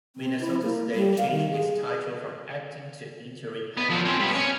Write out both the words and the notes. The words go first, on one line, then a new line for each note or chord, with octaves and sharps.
Minnesota State changed his title from "acting" to "interim" head coach.
C4
E4
A#3
G3
F5
D#3
G#4
B3
F3 F#3
C4 C#4
G3 B3
C#4